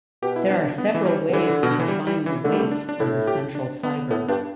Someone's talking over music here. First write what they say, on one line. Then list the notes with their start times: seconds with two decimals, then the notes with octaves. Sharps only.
There are several ways to define the weight on the central fiber.
0.23 B2 G4
0.36 E4
0.51 D4
0.64 D4
0.78 B3
0.94 E3
1.06 G3
1.29 B2
1.33 D3 E3
1.63 B2
1.71 D3
1.80 E3
1.88 G3
2.07 G3
2.26 E3
2.44 D3 A3
2.52 G3
2.60 A3
2.71 D4
2.89 D4
3.00 A2 E4
3.27 G4
3.55 D4
3.83 B3
4.10 A2 B3
4.28 G2 D4